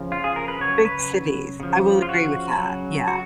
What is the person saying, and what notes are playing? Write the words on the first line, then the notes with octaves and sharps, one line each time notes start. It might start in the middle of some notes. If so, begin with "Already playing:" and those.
Big cities. I will agree with that. Yeah,
Already playing: C#3 F3
F4
G#4
A#4
B4
C#3 F#3 C#5
B4
C#3 F3
F4
F#4
C#3 F#3
F#4